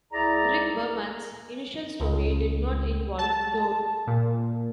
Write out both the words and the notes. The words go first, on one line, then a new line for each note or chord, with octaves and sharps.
Rick Berman's initial story did not involve Lore.
C2 E4 G#4 D5 A#5
C#2
A5
A#2